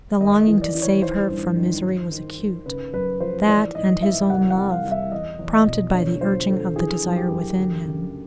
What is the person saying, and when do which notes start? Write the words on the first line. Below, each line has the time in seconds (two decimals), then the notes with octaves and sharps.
The longing to save her from misery was acute, that, and his own love, prompted by the urging of the desire within him.
0.20 D#2 D#5
0.47 E3
0.62 D5
0.75 E3
0.82 C#5
1.02 D#3 C5
1.30 G2
1.57 D#3
1.84 D#3
2.12 D#3
2.39 D#3
2.66 C#3 B4
2.93 F#2 B4
3.20 F3 C5
3.47 E3 D5
3.75 G#2 D#5
4.02 E3 E5
4.30 C2 F#5
4.50 F#5
4.57 C2
4.71 F5
4.85 C2
4.91 E5
5.12 E2 D#5
5.39 E2
5.53 D#5
5.66 B2
5.94 D3 C#5
6.21 F3 C5
6.48 D3 A4
6.76 E3 G#4
7.03 F#2
7.17 G4
7.31 F#2
7.58 D2
7.85 C#3